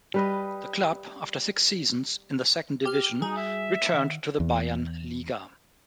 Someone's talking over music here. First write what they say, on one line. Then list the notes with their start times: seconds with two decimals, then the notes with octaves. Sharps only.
The club, after six seasons in the second division, returned to the Bayernliga.
0.14 G3 B4 D#5
2.85 G4 F6
3.22 G3 D#4 F#4 G#4
3.37 E5
3.94 D#3 F#5
4.40 E2